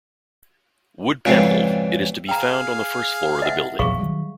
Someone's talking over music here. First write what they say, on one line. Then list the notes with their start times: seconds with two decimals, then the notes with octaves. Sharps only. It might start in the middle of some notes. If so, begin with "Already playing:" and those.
Wood panelled, it is to be found on the first floor of the building.
1.26 F2 G#2 C#3 E3 F3 G3
2.29 G#4 F5 G5 A#5
3.42 D#5 E5 F#5
3.79 A#1 E2 F#3 G#4 F5 C#6
4.00 D#3 F#3 G3